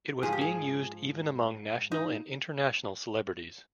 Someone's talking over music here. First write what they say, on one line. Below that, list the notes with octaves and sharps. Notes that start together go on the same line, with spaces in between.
It was being used even among national and international celebrities.
G#2 F3 G#4
G4
G#4
D#4